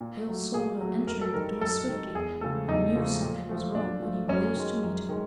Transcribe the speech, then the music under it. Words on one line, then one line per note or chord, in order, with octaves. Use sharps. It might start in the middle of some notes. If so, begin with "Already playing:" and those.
Hale saw her entering the door swiftly, he knew something was wrong and he rose to meet her.
A#2
F#3 A3
A#2 G#4
F#3 A3
F#2 A#4
A4
D#3 G3 A#4
F#2 A4
D#3 G3
E2 G#4
C#3 F3 A3 A4
E2 D#4
C#3 F3 A3
A#2
F3 A3
A#2 D4
F3 A3
F#2 C#4
D#3 G#3
F#2
D#3 G#3